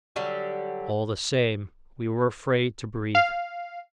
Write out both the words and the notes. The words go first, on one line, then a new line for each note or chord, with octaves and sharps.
All the same, we were afraid to breathe.
D3 F#3 G3 G4
F5